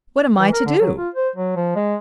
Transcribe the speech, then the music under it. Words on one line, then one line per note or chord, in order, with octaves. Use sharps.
"What am I to do?"
E3
A#4
D3
F#3
F4
C5
F#3
F3
G#3